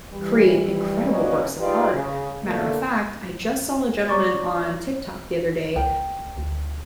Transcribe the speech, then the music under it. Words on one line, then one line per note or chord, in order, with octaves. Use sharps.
create incredible works of art. Matter of fact, I just saw a gentleman on TikTok the other day
E3 G3
F#3 A#3 B3 C#4 D5 D#5
G#3 D#4 F4 G4 B4 D5
C#3
D3 A3 A#3
C#5 D5 A#5 C#6 D6 A6
C#2 A#4 G5
D2